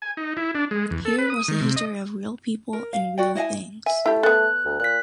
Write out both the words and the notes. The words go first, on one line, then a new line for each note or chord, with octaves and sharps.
Here was a history of real people and real things.
G#5
D#4
E4
D4
G#3
E2
A4
B4
D#6
D#3
C3
D#5
A#4
F5
F#4 D5 G5
E4 D#5 F5 G#5
E5 G#5
A3 E4 G4
B3 A4 F#6
D2
A#2 F#6 B6